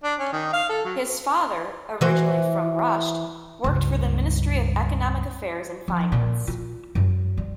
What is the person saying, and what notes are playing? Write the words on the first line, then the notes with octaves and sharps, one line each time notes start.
His father, originally from Rasht, worked for the Ministry of Economic Affairs and Finance.
D4
C#4
D#3
F5
A4
F#3
E3 F#4 C5
C#2 G2
F3
A#2
F4
F#2
G3